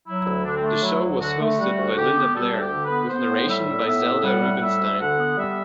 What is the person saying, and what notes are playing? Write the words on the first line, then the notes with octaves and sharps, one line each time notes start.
The show was hosted by Linda Blair, with narration by Zelda Rubinstein.
F#3 E4
D2
D3 D4
C4
A3 D4
F#3 E4
D2
D3 F#4
A3
G3 F#4
D2
D3 G4
B3
G3 A4
D2
G4
D3
B4
B3
B3 C5
A2
G3 E5
A2
B3 E5
A2
G3 F#5
A2
G3 E5
D2
D3 F#5
B3
G3 E5